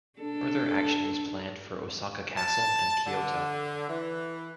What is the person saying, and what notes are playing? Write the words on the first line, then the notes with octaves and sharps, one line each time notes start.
Further action was planned for Osaka Castle and Kyoto.
D4 A4
A5
D3
E3